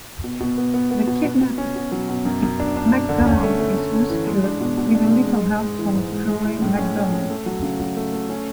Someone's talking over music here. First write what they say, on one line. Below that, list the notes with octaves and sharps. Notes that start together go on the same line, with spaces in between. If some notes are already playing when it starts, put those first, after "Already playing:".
The kidnapped McDonald is rescued, with a little help from Joey McDonald.
B2
B2
B3
B3
B3
B2
B2
B2
C#4
B2
F#3
B2
F#2
F#2
D4
D4
D4
D3
C#4
A3
A3
A3
C#4
E3
G#3
D4
B2
B2
D4
G#3
G#3
G#2
G#3
E3
G#2
G#3
G#3
E4
A2
C#4
C#4
C#4
A3
F#3
C#3
F#3
A3
A3
C#4